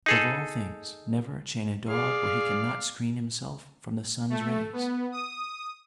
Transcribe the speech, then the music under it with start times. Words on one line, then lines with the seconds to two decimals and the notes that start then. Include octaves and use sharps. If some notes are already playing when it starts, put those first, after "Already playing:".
Above all things, never chain a dog where he cannot screen himself from the sun's rays.
0.06 D#4 G#4 A4
1.89 G#4 D5 F5
4.30 A3
4.73 B3
5.12 D#6